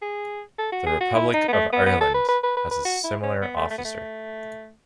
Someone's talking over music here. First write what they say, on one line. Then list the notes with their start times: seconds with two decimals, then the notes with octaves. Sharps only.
The Republic of Ireland has a similar officer.
0.02 G#4
0.59 A4
0.72 F#4
0.86 G#4
1.01 F#4
1.15 E4
1.34 D#4
1.48 B3
1.52 A3
1.72 B3
1.86 B3
2.00 A4
2.14 B4
2.28 B4
2.43 B4
2.57 B4
2.71 B4
2.85 F#4
3.04 E4
3.23 C#4
3.42 B3
3.57 A3
3.70 A3
3.78 B3
3.85 A3